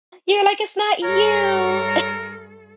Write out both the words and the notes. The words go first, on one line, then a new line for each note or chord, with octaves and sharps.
you're like, "It's not you."
G2 A4 A#4 C#5 A#5